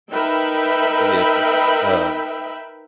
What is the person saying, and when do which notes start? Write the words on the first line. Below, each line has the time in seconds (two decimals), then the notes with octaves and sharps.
s so yeah 'cause it's, um
0.11 D#4 A#4 B4 E5 G5 B5